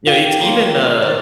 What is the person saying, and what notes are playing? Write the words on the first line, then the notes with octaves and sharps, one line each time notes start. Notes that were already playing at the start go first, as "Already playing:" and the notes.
you know, it's even, uh
F4 G4
A#3 A#4 C#5 C6
D#3
D#3 D5